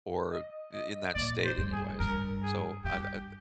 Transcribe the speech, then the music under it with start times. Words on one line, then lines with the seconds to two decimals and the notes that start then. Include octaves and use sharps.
or i in that state anyways. So I I
0.31 D#5
0.73 D#5
1.15 A#2 D5
1.44 C5
1.58 G2
1.72 G#4
1.99 G2 A#4
2.43 G#4
2.84 G2 G4